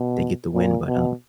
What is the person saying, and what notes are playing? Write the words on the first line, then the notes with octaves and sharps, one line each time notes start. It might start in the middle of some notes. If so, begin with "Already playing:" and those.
they get the win. But, um,
Already playing: B2
A#2
B2